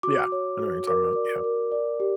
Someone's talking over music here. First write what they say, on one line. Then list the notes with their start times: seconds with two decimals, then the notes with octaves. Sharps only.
Yeah, I know what you're talking about, yep.
0.03 F#4 D6
0.32 C#5
0.59 F#4
0.87 A#4 D6
1.16 D5
1.44 A#4
1.72 D5
2.00 G4